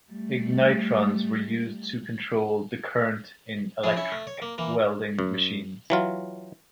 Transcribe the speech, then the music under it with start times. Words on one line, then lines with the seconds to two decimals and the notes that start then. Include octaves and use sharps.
Ignitrons were used to control the current in electric welding machines.
0.11 G3 A3
3.83 F3 A3 E4 G#4
3.96 C#4 E4 E5 C#6
4.12 A3
4.27 C#5
4.42 A#3
4.58 E3 A#3
5.19 F#2
5.90 E3 F#3 F4